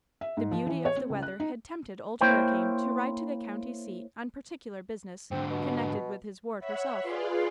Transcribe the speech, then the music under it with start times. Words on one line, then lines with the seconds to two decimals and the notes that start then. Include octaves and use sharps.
The beauty of the weather had tempted Old Hurricane to ride to the county seat on particular business connected with his ward herself.
0.21 E5
0.37 G#2
0.51 F3
0.66 E3
0.85 C#5
0.97 C4
1.10 C#2
1.22 F#6
1.40 D#4
2.21 A#3 E4 C5 C#5 G5
5.31 G#2 D3 C4
5.50 B2
6.59 C#5 E5 F#5 B5
7.00 F4 G#4 B4 D5 F5 C6